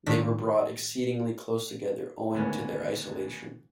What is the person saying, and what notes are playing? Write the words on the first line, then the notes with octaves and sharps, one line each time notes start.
They were brought exceedingly close together owing to their isolation.
A2 D#3 D4 A#6 B6
D2 G#2 D#3 A#3 B3 C#4